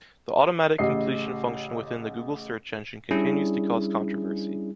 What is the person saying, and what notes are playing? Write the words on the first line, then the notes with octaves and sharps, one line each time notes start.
The automatic completion function within the Google search engine continues to cause controversy.
A1 C#3 D#5 C7
G3 C#4 D4 E4 G#4